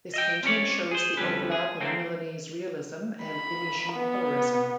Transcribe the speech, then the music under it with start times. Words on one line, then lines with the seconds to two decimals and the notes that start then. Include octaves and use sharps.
This painting shows the overlap of Milanese realism and Venetian colorism.
0.14 D#5 E5 G5
0.43 C4 C#4 G4 A#4 C#5 D5
0.91 G#4 C5
1.17 F2 D3 G3 C4 C#4 B4
1.52 G#4
1.80 D3 E3 F#3 A3 A#3 C4
3.23 B5
3.93 B3